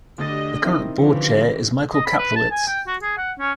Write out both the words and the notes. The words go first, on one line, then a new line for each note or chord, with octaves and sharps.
The current board chair is Michael Kaplowitz.
D2 D3 D4 G4 D#5 A6
D#3 C4 E4
D3 E3 F3 C#4 G4
D#5
B5
B4
A5
G#5
G5
F#4
G#4
F#5
C#4